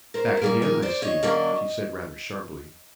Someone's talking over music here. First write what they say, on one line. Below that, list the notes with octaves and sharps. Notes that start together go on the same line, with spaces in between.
"Back again, I see," she said rather sharply.
A#4 C5
B4
A#2 G3 A#3 G#4 A#4
G#4 A#4
C5 D5
C#5 D#5
F#2 D3 F#3 A#3 D4